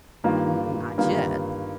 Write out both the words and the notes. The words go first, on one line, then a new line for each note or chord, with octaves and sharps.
"Not yet."
G2 D#3 A#3 F4
G2 D#3 A#3 F4